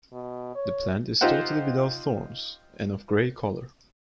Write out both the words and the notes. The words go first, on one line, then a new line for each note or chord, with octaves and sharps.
The plant is totally without thorns and of gray color.
B2
C#5
D#4 F4 G4 C5 F#5